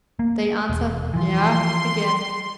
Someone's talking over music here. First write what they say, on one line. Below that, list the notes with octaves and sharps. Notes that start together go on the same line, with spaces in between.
They answered "yea" again.
A#3
E1
E3 F3 C6